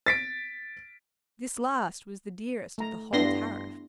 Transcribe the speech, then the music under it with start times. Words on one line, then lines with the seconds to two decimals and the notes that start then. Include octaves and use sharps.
This last was the dearest of the whole tariff.
0.06 A6 B6 D7
2.78 A3 A#5
3.13 G2 B3 D4 E4 C6 A#6